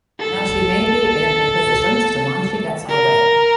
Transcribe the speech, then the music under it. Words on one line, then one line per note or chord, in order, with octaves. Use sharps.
Now she may be in a position to demand she gets her way.
A4
A#4